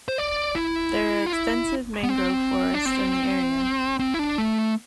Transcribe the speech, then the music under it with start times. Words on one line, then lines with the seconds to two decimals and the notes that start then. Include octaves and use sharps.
There are extensive mangrove forests in the area.
0.08 C5
0.18 D5
0.55 E4
1.26 F4
1.33 E4
2.03 B3
2.09 C4
2.74 D4
2.85 C4
3.99 C4
4.14 E4
4.19 D4
4.38 A3